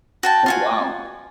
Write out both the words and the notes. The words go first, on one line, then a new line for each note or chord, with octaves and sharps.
Oh, wow.
F#4 G5 A5
F4 F#4 G#5